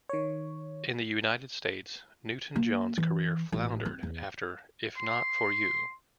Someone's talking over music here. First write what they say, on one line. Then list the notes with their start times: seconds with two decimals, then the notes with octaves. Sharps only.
In the United States, Newton-John's career floundered after If Not For You.
0.09 D#3 C#5
2.56 A#3
2.98 E3
3.52 A1
3.85 C4
4.03 E2
4.97 C6